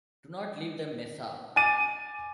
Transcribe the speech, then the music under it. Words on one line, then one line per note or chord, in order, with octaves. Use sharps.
Do not leave the mesa.
G#5 D6 A6 D#7